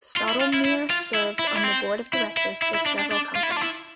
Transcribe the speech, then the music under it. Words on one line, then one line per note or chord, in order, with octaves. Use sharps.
Stottlemyre serves on the board of directors for several companies.
F4
E4
F4
E4
E4
F4
E4
E4
D4
E4
C4
E4
E4
E4
E4
D4
D4
D4
F4
E4
F4
D4
E4